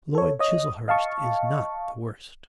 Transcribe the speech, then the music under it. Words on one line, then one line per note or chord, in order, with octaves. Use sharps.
Lord Chiselhurst is not the worst.'
A4 C#5
C#5 D#5 D#6
D#5 F5 A5 C#6